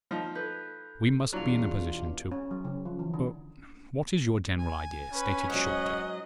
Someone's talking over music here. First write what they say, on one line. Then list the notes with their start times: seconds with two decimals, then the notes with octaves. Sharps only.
We must be in a position to--What is your general idea, stated shortly?
0.11 F3 D#4
0.35 A4 B4 G6
1.33 E2 B2 F#3 D4 E4 F4 F7
2.31 C#4
2.51 F#3
2.65 C#3
2.85 F3
2.99 E3
3.14 D3
4.58 G#5
5.14 C#4 B4
5.50 G#2 F#3 D#5 F#5